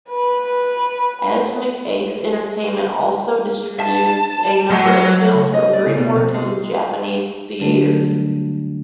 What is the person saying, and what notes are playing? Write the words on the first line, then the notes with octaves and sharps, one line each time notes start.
Asmik Ace Entertainment also distributes a number of films from DreamWorks in Japanese theaters.
B4
A5
F#3
C#3
D#5
D5
C#3
B2
F2
G#3
D3 F#3 G3 A3 D4 F#4